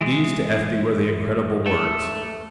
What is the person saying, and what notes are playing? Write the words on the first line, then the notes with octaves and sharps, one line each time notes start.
These to Ethne were the incredible words.
E3 G#3
A3 A4